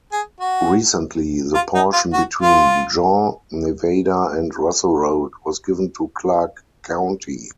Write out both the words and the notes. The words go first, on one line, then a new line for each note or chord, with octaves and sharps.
Recently, the portion between Jean, Nevada and Russell Road was given to Clark County.
G#4
F#4
F4
D#4
F4
F#4
F4